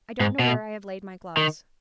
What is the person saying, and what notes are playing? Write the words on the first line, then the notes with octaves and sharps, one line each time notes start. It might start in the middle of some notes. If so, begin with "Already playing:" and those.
"I don't know where I have laid my gloves."
G#2
B2
D#3